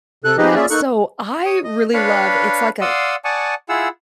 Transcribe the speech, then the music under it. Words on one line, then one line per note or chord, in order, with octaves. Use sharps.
Yeah, so, I really love it's like a
C3 A4 F#6
F3 D#4 G4 G#4 B4 D#5
A#3 C#4 F4 G#4 D5 E5
A#3 D#4 A4 C#6 F#6
C#5 D#6
D#5
D4 B4 C#5 F5 B5
D5 F5 F#5 C6 D#6 E6
D5 F#5 G#5 A5 C#6 D#6
E4 F4 G#4 F#5 E6